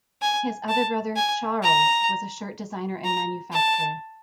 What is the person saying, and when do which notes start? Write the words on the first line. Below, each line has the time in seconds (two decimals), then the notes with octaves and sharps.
His other brother, Charles, was a shirt designer and manufacturer.
0.21 G#5
0.69 A5
1.16 G#5
1.63 A#5
3.04 A#5
3.53 A5